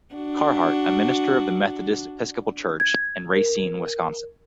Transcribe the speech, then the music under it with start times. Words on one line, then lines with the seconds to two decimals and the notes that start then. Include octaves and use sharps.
Carhart, a minister of the Methodist Episcopal Church, in Racine, Wisconsin.
0.15 D4 F#4
2.80 G#6
3.36 A#4